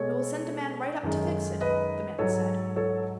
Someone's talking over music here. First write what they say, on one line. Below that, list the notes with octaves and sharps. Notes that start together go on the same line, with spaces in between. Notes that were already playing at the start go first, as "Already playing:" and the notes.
"We will send a man right up to fix it!" the men said.
Already playing: B2 G#3 A4 C#5
F#2 D#3 G#3
B4 D#5
G#2 F#3 A4 C#5
A4 C#5